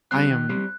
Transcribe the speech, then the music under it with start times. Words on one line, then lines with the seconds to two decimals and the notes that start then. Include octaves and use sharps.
I am
0.11 G3 C4 F#6
0.31 D#3
0.49 G3 C4